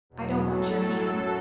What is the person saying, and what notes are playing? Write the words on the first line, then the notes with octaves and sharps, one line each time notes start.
I don't want your hand.
E2 B2 F#3
A2 F#3 A4
F#2 F#3 A4